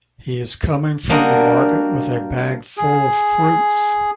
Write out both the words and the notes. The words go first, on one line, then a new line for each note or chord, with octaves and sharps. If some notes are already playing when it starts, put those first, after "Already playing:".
He is coming from the market with a bag full of fruits.
G3 A#3 D4 F#4 D#5
G#4